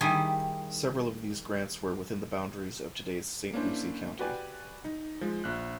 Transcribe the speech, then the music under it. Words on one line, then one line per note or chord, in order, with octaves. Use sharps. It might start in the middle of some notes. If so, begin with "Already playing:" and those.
Several of these grants were within the boundaries of today's Saint Lucie County.
D#3 G3 E4 G#4
A#3 C#4 D4 E4 C5
F#4 G4 B4 D5 G#5
D#4
F3 G#3
A#1 F#6